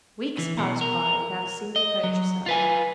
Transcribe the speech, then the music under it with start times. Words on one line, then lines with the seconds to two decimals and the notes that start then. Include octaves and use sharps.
Weeks passed by without a single purchaser.
0.38 E3
0.58 B2
0.81 A#4
1.76 D#5
2.04 F#3
2.46 F4 B4 G#5